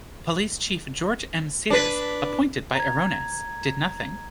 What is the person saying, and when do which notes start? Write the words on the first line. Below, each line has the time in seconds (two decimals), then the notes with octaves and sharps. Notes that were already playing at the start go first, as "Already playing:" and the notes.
Police Chief George M. Sears, appointed by Irones, did nothing.
1.70 D4 B4
2.75 A#5 G#6